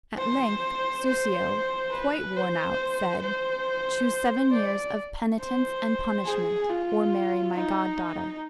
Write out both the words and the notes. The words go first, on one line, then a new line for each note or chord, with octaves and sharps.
At length, Soussio, quite worn out, said, "Choose seven years of penitence and punishment, or marry my goddaughter."
C5
C5
B4
C5
C5
D5
C5
G#4
F4
D#4